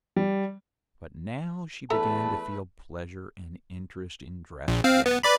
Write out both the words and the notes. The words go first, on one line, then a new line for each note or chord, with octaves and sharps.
But now she began to feel pleasure and interest in dress again.
G3
E2 D3 A3 A4 B4 E5 A5 A#5
A#1
C4 F5
B3
B4 D5 B5